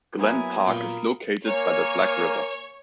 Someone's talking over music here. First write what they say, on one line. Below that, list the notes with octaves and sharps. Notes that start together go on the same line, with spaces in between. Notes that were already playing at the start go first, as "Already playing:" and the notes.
Glen Park is located by the Black River.
F#3 A#3 B3 E4 G#5 A#5 B5 D#6
A#2 A#4 G5
A#3 A#4 C#5 G#5